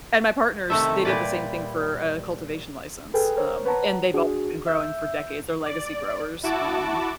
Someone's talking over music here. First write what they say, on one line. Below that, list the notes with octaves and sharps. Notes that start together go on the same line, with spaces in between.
and my partners, they did the same thing for a cultivation license, um, and they've all been growing for decades, they're legacy growers, um
C3 D#3 A3 A4 E5
A#2 G3 B4 D5
G#4 A4 B4 G5 G#5
A#4 C5 C#5
B4 C#5 F#5 A5 A#5
D4 F#4 G#4
E5 E6 G6
D5
E4 F#4 A5 D6